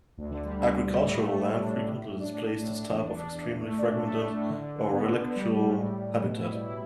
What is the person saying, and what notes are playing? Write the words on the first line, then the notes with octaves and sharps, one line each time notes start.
Agricultural land frequently displays this type of extremely fragmented, or relictual, habitat.
D2
D3
G3
D3
D2
G3
A2
A3
A3
A3
D4
D4
A2
A2
D4
D4
D4
A2
D4
E2
D4
D4
E2
E2
A3
D4
A2
A3
A3
A2
D3
D3
D3
B3
D3
D3
G3
G3
A2
A2
A2
A2
B2
E4
G3
E4